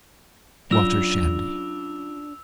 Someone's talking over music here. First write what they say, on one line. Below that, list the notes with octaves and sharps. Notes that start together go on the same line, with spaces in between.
Walter Shandy.
F#3 C#4 D4 F4 E6 A#6 F7